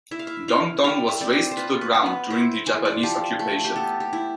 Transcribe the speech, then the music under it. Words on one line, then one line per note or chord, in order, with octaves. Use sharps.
Dongdung was razed to the ground during the Japanese occupation.
E4 E5
F5
E5
E4 F5
G3 F5
E5
C4 D5
C5
C5
F4 B4
B4
B3
B4
E4 C5
E3 C5
D5
F3 G4
A3
G4
B3 A4
G4
E4